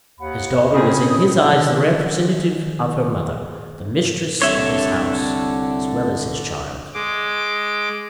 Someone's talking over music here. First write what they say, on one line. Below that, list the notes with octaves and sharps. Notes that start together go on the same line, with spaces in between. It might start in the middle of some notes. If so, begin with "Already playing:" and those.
His daughter was in his eyes the representative of her mother: the mistress of his house, as well as his child.
D#2 F#5 B5
A2 C#3 C4 G#4 B5 D#6
D#3 G#4
C2 D3 C#5 E5
G#3 D6